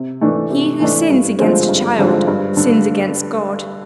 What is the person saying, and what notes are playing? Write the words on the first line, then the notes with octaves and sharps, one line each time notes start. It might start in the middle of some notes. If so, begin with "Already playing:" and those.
He who sins against a child, sins against God.
Already playing: C3
E3 A3 D4
C3
E3 A3 D4
G2
D3 F3 G#3 C4
G2
D3 F3 G#3 C4
G2
D3